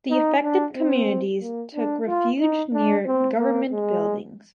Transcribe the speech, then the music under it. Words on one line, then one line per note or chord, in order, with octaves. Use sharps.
The affected communities took refuge near government buildings.
D#4
D4
C4
A#3
D4
F4
D#4
D4
C4
A#3
G#3